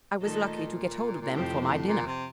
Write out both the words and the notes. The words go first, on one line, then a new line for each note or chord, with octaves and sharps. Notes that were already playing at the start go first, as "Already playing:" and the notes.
"I was lucky to get hold of them for my dinner."
A#2 D#3 A3 D#4 A4 D#5
A#2
F2 A2 C3 F3 C4 G4
A2
A#2
C3